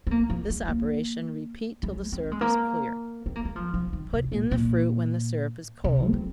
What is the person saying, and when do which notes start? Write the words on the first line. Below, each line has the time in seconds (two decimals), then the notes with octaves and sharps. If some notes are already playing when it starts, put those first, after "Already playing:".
This operation repeat till the syrup is clear--put in the fruit when the syrup is cold.
0.07 C4
0.11 A#3
0.30 F3
0.50 G#3
0.68 A#3
1.83 G#3
2.12 C4
2.31 G#3
2.41 A#3
3.26 C4
3.36 A#3
3.45 G#3
3.56 F3
3.74 F3
3.93 D#3
4.13 C3
4.32 A#2
4.51 A#2
5.84 C3
6.07 A#3
6.13 C4